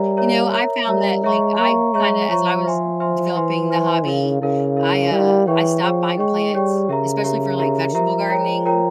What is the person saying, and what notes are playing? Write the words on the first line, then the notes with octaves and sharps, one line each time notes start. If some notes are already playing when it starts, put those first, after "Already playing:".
You know, I've found that, like, I kinda as I was developing the hobby, I, uh, I stopped buying plants, especially for, like, vegetable gardening,
Already playing: G3 A#4 C#5 E5 A#5
A#4 C#5 E5 A#5
A#4 C#5 E5 A#5
G3 A#4 C#5 E5 A#5
G#3 C#5 E5 A#5 C#6
A#3 C#5 E5 A#5 C#6
G#3 C#5 E5 A#5 C#6
F3 C#5 E5 A#5 C#6
C5 E5 G#5 C6
C5 E5 G#5 C6
E3 C5 E5 G#5 C6
C5 E5 G#5 C6
C#3 E4 A#4 F5
C#3 E4 A#4 F5
E4 A#4 F5
G3 E4 A#4 F5
E3 G#4 C#5 G5 C#6
F3 G#4 C#5 G5 C#6
G#3 G#4 C#5 G5 C#6
G3 G#4 C#5 G5 C#6
C#3 G4 A#4 E5 A#5
G4 A#4 E5 A#5
G4 A#4 E5 A#5
F3 G4 A#4 E5 A#5
F4 A#4 C#5 G5 A#5
F4 A#4 C#5 G5 A#5